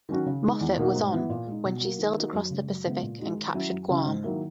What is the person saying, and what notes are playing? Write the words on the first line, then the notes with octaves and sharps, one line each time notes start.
Moffett was on when she sailed across the Pacific and captured Guam.
D#3 F#3 C#4 F#4
C#3
G#3 D#4
E2
B2 A#3 D#4 F#4
G#2
E3 B3 E4
A#2
G#3
D#4
B2
F#3 A#3
D#3
A#3 D#4 F#4
F#2
C#3 G#3
F#2
C#3 G#3 B3 E4
A#2
G#3 D#4 F#4
D#3
F#3 C#4 E4
F#2
C#3 F#3 C#4 E4
G#2
D#3 F#3 A#3 E4